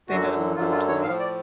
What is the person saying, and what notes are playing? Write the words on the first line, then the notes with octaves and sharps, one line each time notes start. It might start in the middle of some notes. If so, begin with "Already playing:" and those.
They don't no toys.
F#2 D3 F#3 F#4
F#2 D3 F#3 F4
F4
C#5
A2 F3 F5
D5